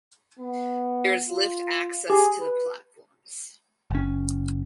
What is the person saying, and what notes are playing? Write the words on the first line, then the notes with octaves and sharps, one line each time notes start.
There is lift access to the platforms.
B3
F4
G4 G#4
B4
F#1 C#4